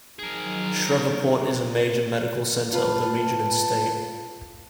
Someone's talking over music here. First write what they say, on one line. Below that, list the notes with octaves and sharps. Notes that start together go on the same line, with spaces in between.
Shreveport is a major medical center of the region and state.
D#3 F3 F#3 G#4 A#4
F4 B4 A5